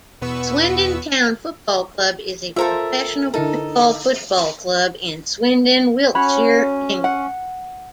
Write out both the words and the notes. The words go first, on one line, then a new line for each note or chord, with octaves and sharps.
Swindon Town Football Club is a professional football football club in Swindon, Wiltshire, England.
E2 B2 B3 B4 C#6 E6
F4 A4 A#4 C5 E5
D3 D#4 E4 A4 A#4
C#4 F#4 C#5 B5
F#5